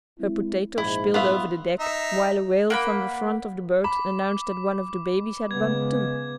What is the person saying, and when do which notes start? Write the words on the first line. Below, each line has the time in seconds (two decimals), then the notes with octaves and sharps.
Her potatoes spilled over the deck, while a wail from the front of the boat announced that one of the babies had bumped, too.
0.20 G#3 C4 E4
0.78 A#1 G#2 E4
1.14 B3 F4 E5
1.80 D#4 E5
2.70 A#3 F#5 B5
3.84 B5 D6
5.51 C#3 G#3 B3 G#6